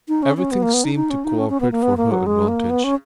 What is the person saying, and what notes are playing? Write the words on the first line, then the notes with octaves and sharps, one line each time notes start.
Everything seemed to cooperate for her advantage.
D#4
C#4
C#4
B3
A#3
B3
D#4
D#4
C#4
D#4
C#4
C#4
B3
A#3
B3
A#3
F#3
G#3
A#3
B3
C#4